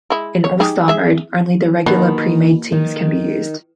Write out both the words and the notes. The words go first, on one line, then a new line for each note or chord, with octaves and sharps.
In All-Star mode, only the regular pre-made teams can be used.
G#3 E4
C#5
D#4 G4 G#4
G#4 E5
B2 D#3 A#3
D#3